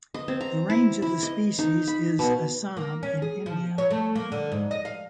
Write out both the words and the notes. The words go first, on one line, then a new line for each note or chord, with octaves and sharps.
The range of the species is Assam in India.
D#5
C4
A#5
E4
E4
D#5
D#4
B5
B2
A#3
C#4
G#4
F3
C#5
A3
A#3
D3
G#2
D#5
F5